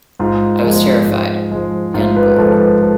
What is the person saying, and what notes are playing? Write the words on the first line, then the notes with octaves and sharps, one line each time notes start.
I was terrified -- and bored.
G#2 F4
F3 G#3
G#2
F3 G#3
G#2 F4
B4
F3 G#3 A4
B4
A4